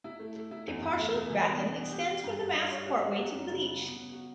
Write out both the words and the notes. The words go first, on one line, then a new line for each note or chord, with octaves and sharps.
A partial batten extends from the mast partway to the leech.
E4
A3
A3
E4
E2
E2
A3
B2
E3
B3
D4
B3
G4
G4
G2
G2
D4
C#5
F#4
G3
F#3
F#2
C#3
C#3
B3
B3
F#4